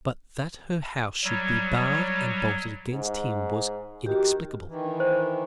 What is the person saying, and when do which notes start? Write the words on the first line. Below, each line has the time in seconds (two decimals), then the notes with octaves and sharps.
But that her house should be barred and bolted against him was inexplicable.
1.24 F#3 G3 C#5
2.93 G#2
4.06 D#3 F#4 G4
4.68 D#3 E3
4.85 D4
5.00 C5